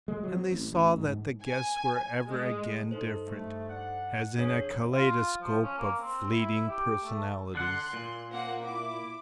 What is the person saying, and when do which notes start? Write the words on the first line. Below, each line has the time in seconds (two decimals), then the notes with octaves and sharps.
And they saw that the guests were ever again different, as in a kaleidoscope of fleeting personalities.
0.08 G#3
0.23 F#3
0.36 C4
0.51 A1
0.73 A1
0.98 G#2
1.43 G#5
2.27 G#3
2.91 G2 D#4 A4 C5
3.27 A3
3.68 D4 F#5
4.37 F2 D4 G#4 C#5
4.92 F4
5.41 F3
5.62 C#4
5.78 A#3
6.01 C4
6.31 E4
6.68 G4
7.03 A3
7.55 D3 F#5 C6 F#6
7.93 A#2
8.31 A#3 C4 F#5
8.63 E4 D6